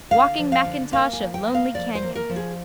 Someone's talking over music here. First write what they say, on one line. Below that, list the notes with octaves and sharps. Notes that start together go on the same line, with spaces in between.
Walking Mackintosh of lonely canyon.
D3 F5
F3
F5
D3
A#3 F5
G#5
F3
G5
A#3
F5
F3 D5
C5
A#3
A#4
F3
G#4